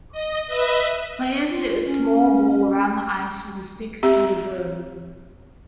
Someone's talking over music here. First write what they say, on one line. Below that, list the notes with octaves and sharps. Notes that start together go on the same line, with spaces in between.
Players hit a small ball around the ice with a stick called a broom.
D#5
B4 D#5 E5
F4
C#4
C4 G4 E5